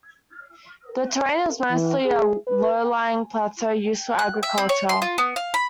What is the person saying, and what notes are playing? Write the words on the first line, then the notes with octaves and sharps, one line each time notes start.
The terrain is mostly a low-lying plateau used for agriculture.
E3
G#4
B4
F#6
E5
C4
C#5
C6
F4
B3
F5
B5